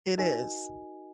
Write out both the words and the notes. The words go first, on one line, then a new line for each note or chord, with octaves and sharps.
It is.
D#4 F#4 A#4 D#5 G#5